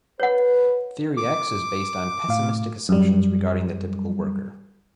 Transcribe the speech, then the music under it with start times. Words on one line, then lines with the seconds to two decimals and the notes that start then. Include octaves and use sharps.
Theory X is based on pessimistic assumptions regarding the typical worker.
0.20 B4 C#5 F#5
1.17 D6
2.29 A2 F5
2.89 F#2 G3